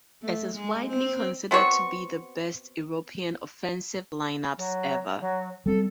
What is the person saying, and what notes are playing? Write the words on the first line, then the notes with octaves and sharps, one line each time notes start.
It is widely considered to be the best European offensive lineups ever.
A3
G#3
C4
B3 C4 F#4 C#5
F#3
F#3
G3 C4 A4